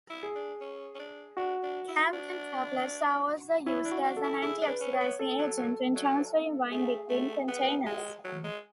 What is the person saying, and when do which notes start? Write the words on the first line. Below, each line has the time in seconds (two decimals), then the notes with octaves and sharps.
Campden tablets are also used as an anti-oxidizing agent when transferring wine between containers.
0.10 E4
0.23 G#4
0.35 D4
0.61 C#4
0.95 C#4
0.99 D4
1.37 D4 F#4
1.63 D4
1.88 E4
2.13 D4
3.66 C#4 E4
3.85 D4
3.91 F#4
4.04 D4
4.17 A4
4.23 E4
4.42 E4 G#4
4.62 D4
4.68 B4
4.81 C#4
4.93 C#5
5.00 B3
5.19 A4
5.39 F#3
5.57 F#3
5.96 F#3
6.71 A3 G#4
7.10 A3
7.48 B3
7.86 G#3
8.24 F#3
8.44 G#3